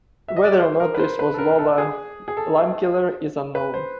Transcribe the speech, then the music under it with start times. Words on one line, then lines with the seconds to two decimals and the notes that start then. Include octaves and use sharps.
Whether or not this was Lola Limekiller is unknown.
0.28 E5
0.36 D#5
0.44 D5
0.52 C#5
0.60 C5
0.80 A#4
0.94 B4
0.99 C5
1.19 B4
1.34 A4
1.38 A#4
1.51 A#4
1.59 A4
1.78 G#4
2.28 G#4
2.37 A4
3.55 B4
3.74 C5